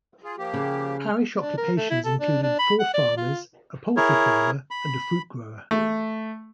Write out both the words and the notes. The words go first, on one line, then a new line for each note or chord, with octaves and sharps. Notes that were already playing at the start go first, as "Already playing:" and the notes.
Parish occupations included four farmers, a poultry farmer, and a fruit grower.
F4 G#4
F3 A#3 G4
C#3
F6
D4
A#4
A3
E4
A4
D4
D4
B5
F#5
D5
F4
E4 G#4 A#4 C#5
B5
A3